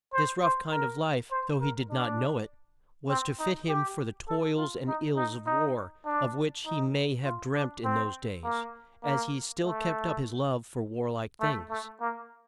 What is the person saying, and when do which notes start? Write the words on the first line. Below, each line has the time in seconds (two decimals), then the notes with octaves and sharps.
This rough kind of life, though he did not know it, was to fit him for the toils and ills of war, of which he may have dreamt in those days, as he still kept up his love for war-like things.
0.13 C5
0.42 C5
0.71 A#4
1.31 C5
1.61 A#4
1.90 D4
3.09 C4
3.39 D#4
3.68 G4
4.28 A4
4.57 F4
4.87 D#4
5.16 D#4
5.46 D#4
6.05 D4
6.66 D#4
7.24 F4
7.54 D4
7.84 C4
8.44 A#3
9.03 A#3
9.63 A3
11.40 A3
11.70 A3
12.00 A#3